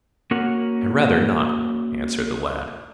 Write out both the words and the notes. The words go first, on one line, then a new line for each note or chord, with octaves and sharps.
"I had rather not," answered the lad.
A#3 C#4 F#4 A#4 F#5